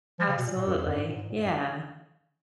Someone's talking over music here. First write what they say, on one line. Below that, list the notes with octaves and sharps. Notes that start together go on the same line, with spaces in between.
Absolutely, yeah.
F3
C#3
B2
A#2
A#2
F#2
F2
F#2
G#2
A#2
G#2
A#2
G#2
F#2